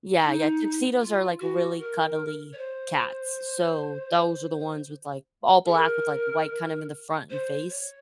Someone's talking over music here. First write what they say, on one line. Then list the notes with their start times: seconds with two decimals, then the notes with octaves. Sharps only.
Yeah, yeah, tuxedos are, like, really cuddly cats. So, those are the ones with, like, all black with, like, white kind of in the front and face
0.22 D#4
1.00 F4
1.40 F#4
1.79 A#4
2.53 C#5
2.58 C5
5.67 G#4
5.73 A#4
7.30 C5
7.70 C#5